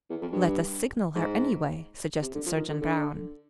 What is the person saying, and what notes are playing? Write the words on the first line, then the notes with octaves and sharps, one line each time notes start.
"Let us signal her anyway," suggested Sergeant Brown.
E2
F2
G2
G#2
C3
D3
F3
D#3
D3
D3